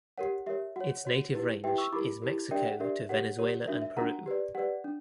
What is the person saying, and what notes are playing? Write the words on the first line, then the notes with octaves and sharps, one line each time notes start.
Its native range is Mexico to Venezuela and Peru.
G4 A#4 C#5 F#5
G4 A#4 C#5 E5
F#4 C#5 F#5
F#4 C#5
E4 G4 B4
E4 G4 B4 E5 G5
C#6 E6
E4 G4 A#4 B5 D6
E4 G4 A#4
D4 G4 A#4 D5 E5 G5
F#5
D4 G4 A#4 D5 E5
G4 A#4 C#5 F#5
G4 A#4 C#5
D4 F#4 A#4 E5
E5
D4 F#4 A#4 F#5 A#5
G4 B4 D5
G4 B4 D5 F#5
D4